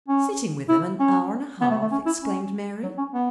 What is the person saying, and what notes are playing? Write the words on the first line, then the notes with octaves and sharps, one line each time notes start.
"Sitting with them an hour and a half!" exclaimed Mary.
C#4
E4
C#4
B3
A3
A3
C#4
E4
C#4
F#3
C#4
B3